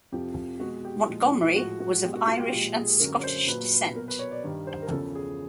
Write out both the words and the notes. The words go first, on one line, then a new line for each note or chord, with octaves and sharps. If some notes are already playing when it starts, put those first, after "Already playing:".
Montgomery was of Irish and Scottish descent.
F2 C3 F3 G4
B2 G#3 F#4
G4
A#2 F3 G#3
A2 F3 G#3 F#4
F#4
B2 G#3 G4
F#4
F4
G4
A#2 F3 G#3 G4
G#4
F#2 D3 F#3 A#4
C#5
C5
A#2 F#3 B4
B4
B2 F#3 A#4
B4
C#5
D5
G2 D#3 G3 D5
C5
A#4
E2 C#3 F3 A4
G#4